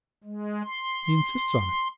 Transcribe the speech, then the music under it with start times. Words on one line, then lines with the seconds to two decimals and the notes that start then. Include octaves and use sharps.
"He insists on it."
0.24 G#3
0.64 C6